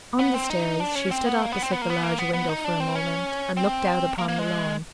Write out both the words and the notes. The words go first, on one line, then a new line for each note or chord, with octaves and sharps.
On the stairs she stood opposite the large window for a moment, and looked out upon the lawn.
B3
C4
D#4
D4
C#4
C4
B3
A#3
B3
C4
B3
A#3
B3
A#3
B3
B3
D#4
D4
C4
C#4
C4
A#3
A#3
G#3